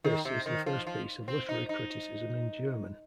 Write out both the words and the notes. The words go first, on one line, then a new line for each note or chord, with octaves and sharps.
This is the first piece of literary criticism in German.
D#3
C3
D#3
F3
F3
C4
D#4
D#4